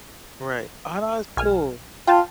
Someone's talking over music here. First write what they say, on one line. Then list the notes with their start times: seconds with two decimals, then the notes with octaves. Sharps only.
Right, ah, that's cool.
1.37 B1 G#5 F6
2.07 F4 G5 A5